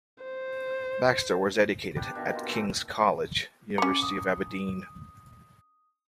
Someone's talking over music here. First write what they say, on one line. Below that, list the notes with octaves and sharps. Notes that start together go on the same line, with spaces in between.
Baxter was educated at King's College, University of Aberdeen.
C5
G3 B3 D4 G4
G2 B2 D#3
F4
A#2 E3 A3
C#4 A#5 D6 C#7
D#6